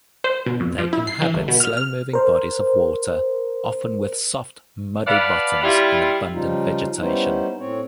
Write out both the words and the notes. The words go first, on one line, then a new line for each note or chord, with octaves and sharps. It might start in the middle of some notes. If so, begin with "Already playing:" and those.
They inhabit slow-moving bodies of water, often with soft, muddy bottoms and abundant vegetation.
C5
B2
F2
F3
E4
C7
E3
G1
B2
F6
F6
A#4 C5
B4 D5 F5 F#5 A5 B5
G3 E4 F4
C#3 F3 G3 D#4 F4
G3 B3 C#4 D#4 E4 C5
A2 C4 C#5